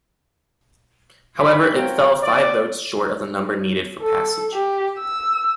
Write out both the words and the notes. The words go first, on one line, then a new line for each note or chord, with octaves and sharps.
However, it fell five votes short of the number needed for passage.
G2 E3 E4 G4 B5
C4 F4 F#4 A#4 C#5 G5
D5
A4
G4
E6